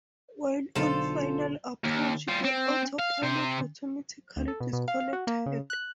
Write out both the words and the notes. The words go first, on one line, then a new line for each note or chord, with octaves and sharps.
While on final approach, the autopilot automatically disconnected.
B1 D3 F4 A4 C5
D#2
G3 F4
C4
F5
C3 C5
D2
A4
B2
B2
F5
F5
F#4
A#3
C#3
F#6